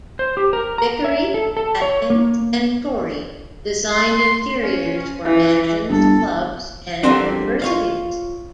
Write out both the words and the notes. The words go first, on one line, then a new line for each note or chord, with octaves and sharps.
Vickery, Atkins and Torrey designed interiors for mansions, clubs and universities.
C5
G4
A#4
A#5
E5
A4
A4
C#5
A#3
C6
C#4
E3
G1 A4
D3 F#3 G3 A#3 C4 D4
F4 C#5 F5